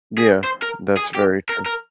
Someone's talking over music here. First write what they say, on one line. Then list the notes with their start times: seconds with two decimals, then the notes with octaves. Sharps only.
Yeah, that's very true.
0.18 G#4
0.44 C5
0.62 A#4
0.97 G#4
1.15 G4
1.49 A#4
1.66 A#4